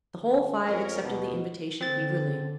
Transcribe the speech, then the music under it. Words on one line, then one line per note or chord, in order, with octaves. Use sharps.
The whole five accepted the invitation eagerly.
G1
F2 C#4 A#4
D#2 B2
D3 C4 A6